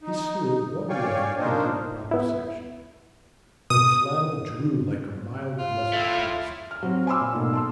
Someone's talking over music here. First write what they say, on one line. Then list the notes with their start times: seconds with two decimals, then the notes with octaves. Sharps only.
He slid one leg into the proper section: the flannel drew like a mild mustard-plaster.
0.02 D#4
0.89 C#5 D5 F5 G5 G#5 C#6
1.38 F3 A#3 D4 D#4 A#4 C5
2.11 B3 E4
3.70 B2 D#6
5.58 F4
5.93 A3 E4
6.71 F6
6.83 F#3 C4
7.06 C5 G#5 B5 C6 D6 E6
7.20 A#2
7.34 G#2 B2 A3 A#3
7.53 A5 C6 E6